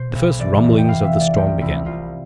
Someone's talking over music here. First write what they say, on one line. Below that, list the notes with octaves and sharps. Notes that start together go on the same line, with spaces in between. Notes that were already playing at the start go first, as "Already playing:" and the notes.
The first rumblings of the storm began.
Already playing: B2 C5
B1
E3 D5
F1
G5
E3 F5
E5
A3
D5
C2 G4
C2 E4
C2 F4